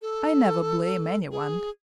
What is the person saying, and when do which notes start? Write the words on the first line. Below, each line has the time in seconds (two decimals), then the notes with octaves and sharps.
I never blame anyone.
0.02 A4
1.31 G#4